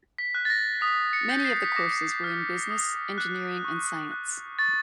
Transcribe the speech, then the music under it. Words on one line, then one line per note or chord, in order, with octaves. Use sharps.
Many of the courses were in business, engineering and science.
B6
F#6
A6
A#6
D#6 B6
C#7
G6
C7
B6
D6 A#6
F6
D#6
F#6
C#6
F#6
C#6 A6